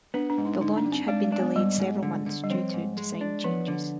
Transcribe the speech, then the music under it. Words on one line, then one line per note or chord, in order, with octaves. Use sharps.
The launch had been delayed several months due to design changes.
B3 D4
D4
G#2
D#4
D3 D#4
D4
G2
C4
G#3 D4
G#3
D4
B3
G#2 G3
G#2
D3
D3
G3
F3 C4
G#2
G#3
D4
F3 B3
D3